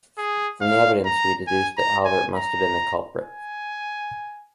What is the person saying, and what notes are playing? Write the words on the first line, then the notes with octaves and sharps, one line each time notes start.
From the evidence we deduced that Albert must have been the culprit.
G#4
F5
A#5
G#5
A#5
G#5
A#5
G#5